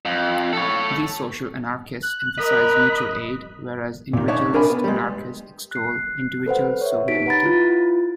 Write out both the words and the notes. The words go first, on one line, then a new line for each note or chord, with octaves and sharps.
These social anarchists emphasize mutual aid, whereas individualist anarchists extoll individual sovereignty.
F2
A4 C#5
F#6
A#4 D#5 B5
A#2 D#3
C#4 D#4 C#5 D5 F#5 A5
C3 D4 A#4 G#5 A#5 B5
B3
G3 G#3
F#6 C7
A4 B4 C5 F#5
C#5 E5
D#4 G4 B6 D7
B4 F#5 A#5 B5 A6
E4 F4